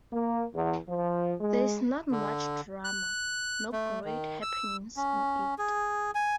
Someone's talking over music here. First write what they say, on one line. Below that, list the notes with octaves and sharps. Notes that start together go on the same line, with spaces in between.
There's not much drama, no great happenings in it.
A#3
E2
F3
G#3
D3
F#6
A3
D#3
E6
C#4
G#4
G#5